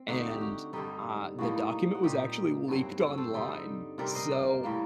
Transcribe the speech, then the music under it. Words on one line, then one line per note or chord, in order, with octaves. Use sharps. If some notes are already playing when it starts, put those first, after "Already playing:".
and, uh, the document was actually leaked online, so
Already playing: C4
D3 A3 D#4 F#4
G4
F#4
G2 D3 G3 D#4
A2 G3 A#3 D#4 F#4
D#4
F#4
A#2 G3 C4 D#4 G4
G2 F#3 C4
F#4 A4
A4 C5
D3 G3 C4 D#4
C3 G3 C4 A#4 D5
C5 D#5
A#4 D5
A2 G3 A#3